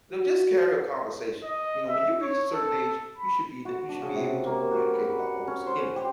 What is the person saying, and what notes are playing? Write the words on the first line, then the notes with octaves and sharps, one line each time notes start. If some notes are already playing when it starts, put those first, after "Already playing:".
You know, just carry a conversation, you know, when you reach a certain age, you should be in a you should be able to communicate about almost anything.
F#4
D#5
E5
C#5
A4
B5
F#4
D4
C#3
C3
A#3
F#4
B4
F#5
C#4
C5
G4